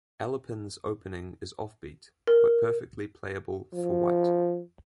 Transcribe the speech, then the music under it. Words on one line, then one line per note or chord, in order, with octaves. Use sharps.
Alapin's Opening is offbeat, but perfectly playable for White.
A#4
F3